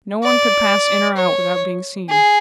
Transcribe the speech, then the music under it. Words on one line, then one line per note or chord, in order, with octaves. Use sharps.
No one could pass in or out without being seen.
D5
C#5
G#4